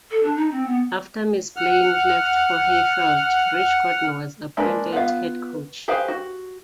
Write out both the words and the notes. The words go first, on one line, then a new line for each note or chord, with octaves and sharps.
After Ms. Blaine left for Hayfield Rich Gordon was appointed head coach.
A4
D4
D#4
C4
B3
F#5 F6
G#3 A#3 D4 B4
B3 F4 F5
G4 G#4 B4 C5 F5
F#4